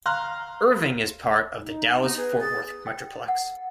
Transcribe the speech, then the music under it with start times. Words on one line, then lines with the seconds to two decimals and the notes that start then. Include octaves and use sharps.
Irving is part of the Dallas-Fort Worth metroplex.
0.06 F5 A#5 C6 F6 F#6
1.61 D#4
2.02 B3 D#4
2.17 G#4 B4
2.40 G#4 A6
2.87 G5
3.28 F#5